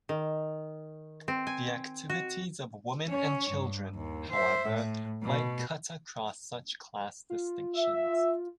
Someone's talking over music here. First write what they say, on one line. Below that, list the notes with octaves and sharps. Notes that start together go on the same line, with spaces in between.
The activities of women and children, however, might cut across such class distinctions.
D#3
C4
G#5
F#4
C#4 C#5
G2
D#2
C5 E5
A2
B2
F4
E5